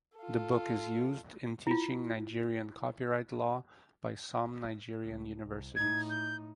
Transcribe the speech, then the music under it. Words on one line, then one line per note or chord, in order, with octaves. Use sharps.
The book is used in teaching Nigerian copyright law by some Nigerian universities.
F4 A4
E4 F4
C#2
C2
A2 D#4 G#6
G6